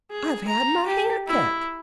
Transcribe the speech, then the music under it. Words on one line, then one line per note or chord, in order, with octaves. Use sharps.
I've had my hair cut.
G#4
A#5
G4
E4